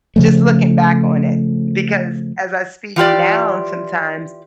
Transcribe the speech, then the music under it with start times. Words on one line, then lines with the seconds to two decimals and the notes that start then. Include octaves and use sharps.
just looking back on it, because, as I speak now and sometimes
0.16 C#3 F3 A3
2.96 E3 F4 G4 D5